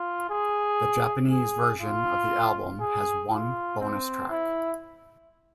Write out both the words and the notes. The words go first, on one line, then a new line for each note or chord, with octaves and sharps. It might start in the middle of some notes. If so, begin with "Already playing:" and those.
The Japanese version of the album has one bonus track.
Already playing: F4
G#4
G#4
F4
G#4
F4
C4
E4